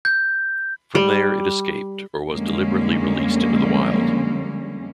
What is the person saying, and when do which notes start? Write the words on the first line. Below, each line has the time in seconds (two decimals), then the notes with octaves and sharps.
From there, it escaped or was deliberately released into the wild.
0.05 G6
0.95 G3
2.31 F2 D3 G3 G#3 A#3 C#4